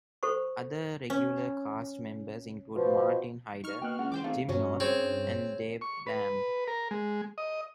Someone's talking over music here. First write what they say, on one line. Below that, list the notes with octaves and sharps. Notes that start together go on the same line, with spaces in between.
Other regular cast members include Martin Hyder, Jim North, and Dave Lamb.
A4 C5 C#6
C#4
B2 F3
D#4 C#6 F6
B2 A#3 G5 F#6
C#2 F#5
E3 C5 G5 D6
G#1 A3 F5
G2 F#3 C#4
C4 G#4 C#5
C#6
B4
A#4
G#3
D#5